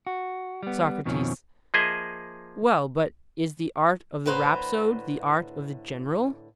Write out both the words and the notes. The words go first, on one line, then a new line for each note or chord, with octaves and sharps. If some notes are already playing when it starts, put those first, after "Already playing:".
SOCRATES: Well, but is the art of the rhapsode the art of the general?
F#4
G3 B3
F2 B2 D#3 F3 C4 C#4
F3 A#3 G#4 D#5 E5
A2 D3 B4 C5 F#5 A#5